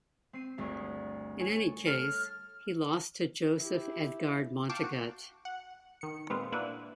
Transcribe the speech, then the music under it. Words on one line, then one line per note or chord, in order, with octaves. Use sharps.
In any case, he lost to Joseph Edgard Montegut.
C4 C7 D#7
G1 D2 G#4
A4 C#5 G#5
A4 F6
E4 G4
F5 G5 A5 C#6 D6
F#4
F#5
D#3 C#7
A#2 G#3 B3 C4 F4
A#3 D4 E4 F#4 B4